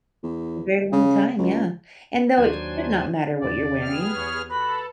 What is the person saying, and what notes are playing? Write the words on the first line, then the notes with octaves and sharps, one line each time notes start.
A very long time, yeah, and though it should not matter what you're wearing,
E2
C#3
C#2
D#2 F#3 D4 C5 G#5
E2 D3 D5
B3 G4 G#4 F6
E2 C#5
F#4 A4 B4 B5